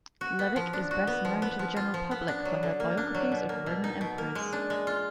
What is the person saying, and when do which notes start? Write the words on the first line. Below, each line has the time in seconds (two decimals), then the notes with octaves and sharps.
Levick is best known to the general public for her biographies of Roman emperors.
0.21 F#4
0.39 B3
0.56 F3
0.73 D4
0.91 F#4
1.07 B3
1.25 F3
1.42 B3
1.59 F3
1.76 F4
1.94 F3
2.11 B3
2.28 D4
2.45 F#3
2.63 D3
2.80 A#3
2.97 D4
3.15 F#3
3.32 B2
3.49 A#3
3.66 B2
3.84 D#4
4.01 B2
4.18 A#3
4.35 G#3
4.53 D4
4.70 G#3
4.87 F4